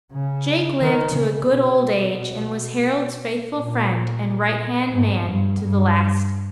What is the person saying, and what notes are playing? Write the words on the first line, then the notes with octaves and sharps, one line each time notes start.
Jake lived to a good old age and was Harold's faithful friend and right-hand man to the last.
C#3
D#3
C#3
B2
A#2
G#2
G2
G2